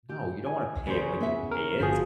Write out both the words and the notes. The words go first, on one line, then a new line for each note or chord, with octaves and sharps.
No, you don't want to pay it when you pay it,
G4
G#5
E2 C#3 C5
B3 E4 E5
A#4
G1 F3 F#4 G#4